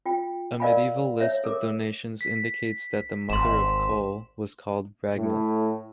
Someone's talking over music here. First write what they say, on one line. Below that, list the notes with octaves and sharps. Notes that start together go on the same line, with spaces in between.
A medieval list of donations indicates that the mother of Kol was called Ragnhild.
F4 G5
A#4 D5 D#5 F5 G#5 B5
C#5 E5
A4 A#4 D6
B6
G#1 C6 E7
A2